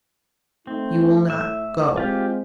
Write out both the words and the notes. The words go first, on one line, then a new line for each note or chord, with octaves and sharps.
You will not go?'
A3 C4 D#4
A2 E5
G#3 C4 F4 G4